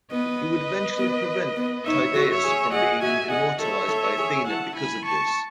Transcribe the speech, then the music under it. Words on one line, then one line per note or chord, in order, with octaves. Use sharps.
He would eventually prevent Tydeus from being immortalized by Athena because of this.
B3 B4 D#5
B3
B3
D#4 C#5 E5
F#4
C#5 E5
G#4
G#4 D#5 F#5
F#4 E5 G#5
G#4 D#5 F#5
A4 C#5 E5
A4
G#4
E4 F#5 A5
G#5 B5
A5 C#6